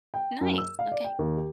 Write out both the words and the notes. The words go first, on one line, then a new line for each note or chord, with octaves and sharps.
Nice, okay.
G5
F#2
E6
F5
D5
G5
D#2
G4